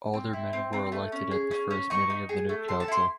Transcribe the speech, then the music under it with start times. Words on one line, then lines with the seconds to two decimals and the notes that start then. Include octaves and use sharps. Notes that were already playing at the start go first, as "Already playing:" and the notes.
Aldermen were elected at the first meeting of the new council.
0.14 C4
0.33 E4
0.53 C4
0.73 C4
0.92 A3
1.12 C#4
1.31 G#4
1.51 C#4
1.71 C#4
1.90 D#4 C#6
2.10 D#4
2.29 G#4
2.49 A3
2.68 A4 C6
2.80 A5
2.88 E4 C6